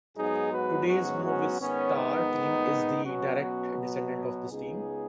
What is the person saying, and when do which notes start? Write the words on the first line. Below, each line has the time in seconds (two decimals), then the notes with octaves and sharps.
Today's Movistar Team is the direct descendant of this team.
0.16 G#2 F#3 B3 D#4 G#4
0.52 F#4 B4
0.88 C#4 F#4
1.24 C#4 F#4
1.60 G#2 D#3 B3 C#4
1.96 D#4
2.32 D#4
3.04 B2 F#3 B3 C#4 F#4
3.40 C#4 F#4
4.49 C#2 C#3 B3 D#4 G#4